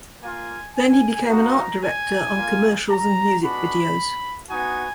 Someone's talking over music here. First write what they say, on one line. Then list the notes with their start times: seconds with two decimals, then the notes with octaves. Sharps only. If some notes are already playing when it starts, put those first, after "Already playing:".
Then he became an art director on commercials and music videos.
0.21 A#3 F4 G#5
0.75 G#5
1.28 A#3 D#4 F#4 A#5
1.82 G#5
2.36 A#3 F4
2.89 A#5
3.43 G#3 B3 D4 F#4 B5
4.50 B3 D#4 F#4 G#5